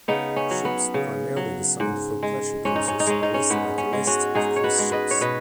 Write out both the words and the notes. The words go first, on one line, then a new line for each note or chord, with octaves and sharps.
Ships primarily designed for pleasure cruises are listed at List of cruise ships.
C#3 B3 D#4
C#4
F#3
B3
C#3
F#3
G#2
G#3
G#2 C#4
D#4
C#4
D#4
G#3 C#4
D#4
C#4
G#2 B3
C#4
G#3
C#4 F#4
G#2 D#4 G#4
C#5
F#4 B4
G#3
B4 D#5
C#5
B2 B4 D#5